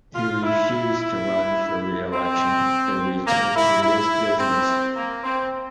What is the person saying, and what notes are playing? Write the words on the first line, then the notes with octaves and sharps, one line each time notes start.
He refused to run for reelection, and returned to his business.
F4
E4
E4
C4
A#3
E4
E4
C4
A#3
C4